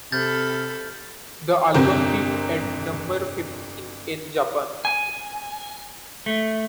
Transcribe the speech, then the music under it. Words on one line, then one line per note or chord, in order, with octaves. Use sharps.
The album peaked at number fifteen in Japan.
C3 A4 B5 F6 G6 A6
G1 F2 C3 A#4 C5 G6
G#5
A3